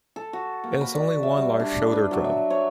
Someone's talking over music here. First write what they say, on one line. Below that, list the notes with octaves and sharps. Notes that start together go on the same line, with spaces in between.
It has only one large shoulder drone.
A4
F#4
A#3
B5
D5
E5
G3
D4
B4
F#3
E5
C#5